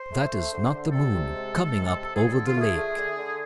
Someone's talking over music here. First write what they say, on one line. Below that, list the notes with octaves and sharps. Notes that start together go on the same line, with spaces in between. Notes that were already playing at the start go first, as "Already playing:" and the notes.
That is not the moon coming up over the lake!
Already playing: C5
A3
A3
D3
D3
C3 A4
C3
G#3
G#3
C3
C3
D3 G#4
D3 A4
F4
A3 G#4
A3
D3
D3